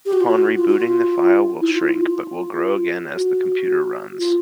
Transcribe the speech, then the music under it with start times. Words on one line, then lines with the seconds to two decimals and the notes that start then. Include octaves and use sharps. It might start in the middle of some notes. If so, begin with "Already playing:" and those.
Upon rebooting the file will shrink but will grow again as the computer runs.
0.05 G4
0.12 F#4
0.20 F4
0.27 F#4
0.57 F4
0.67 F#4
0.79 F4
1.60 E4
1.73 F4
1.86 E4
1.99 F4
3.15 F#4
4.18 F4